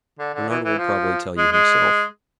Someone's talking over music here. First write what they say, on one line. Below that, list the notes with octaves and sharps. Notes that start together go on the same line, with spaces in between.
Bernard will probably tell you himself.
D3
D3
E3
E3
F3
G#3
G#3